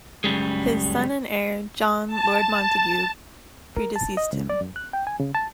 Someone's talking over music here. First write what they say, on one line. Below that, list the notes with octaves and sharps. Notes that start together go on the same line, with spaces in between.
His son and heir, John, Lord Montagu, predeceased him.
F#2 A#2 C#3 G3 G#3
A5
A#4
A5
D#5
C#2
D5
F#2
F#6
G5
G#5
C#3
A5